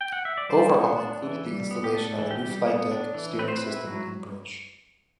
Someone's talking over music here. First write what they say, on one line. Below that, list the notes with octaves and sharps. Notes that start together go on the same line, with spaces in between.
Overhaul included the installation of a new flight deck, steering system, and bridge.
G5
F#5
E5
D5
G3 C5
B3
D4
E3
G3
B3
G4
D4 A4
E3
G4
G3
B3
D4
E3
C4 B4
C5
B4
E4
F#3